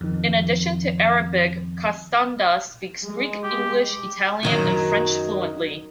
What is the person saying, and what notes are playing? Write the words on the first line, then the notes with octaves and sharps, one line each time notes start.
In addition to Arabic, Costanda speaks Greek, English, Italian and French fluently.
F2 D#3
G#3
G4
F#2 D#3 F#3